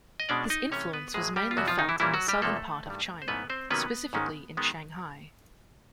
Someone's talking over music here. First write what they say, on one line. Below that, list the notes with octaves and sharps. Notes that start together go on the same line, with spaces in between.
His influence was mainly felt in the southern part of China, specifically in Shanghai.
D#5
B2 G#3 C#4 D4 D5
D#4 D#5
C3 E3 A3 C#4 C#5
B3 B4
A2 F#3 G#3 A#3 G#4
G3 G4
F4
E2 B2 F#3 G3 B3 F#4
F3 F4
D#3 D#4
E3 E4
A#2 E3 G3 A#3 C#4 E4
F#3 F#4
G3 G4
E2 C3 F3 A3 A#3 A4
G2 D#3 G3
C5
G#2 E3 A3 B3 C#4 B4
C4 C5
C3 D#3 F#3 A#3 B3 C#4 B4
G#2 D#3 G#3 C#4
D#3 G#3 B3